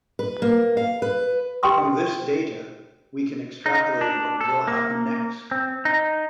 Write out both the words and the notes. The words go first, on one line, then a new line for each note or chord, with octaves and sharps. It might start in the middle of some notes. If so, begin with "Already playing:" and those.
From this data, we can extrapolate what will happen next.
B4
A#3
F5
B4
G4 B4 G5 C6 D#6
D#4
D4
A4
A#3
C4
D#4